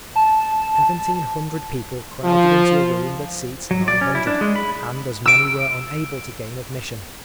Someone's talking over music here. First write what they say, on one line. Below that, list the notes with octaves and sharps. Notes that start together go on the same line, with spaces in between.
Seventeen hundred people crowded into a room that seats nine hundred, and as many were unable to gain admission.
A5
F3
F#3
D5
C#4
E4
D4
G#3
B5
E6 D7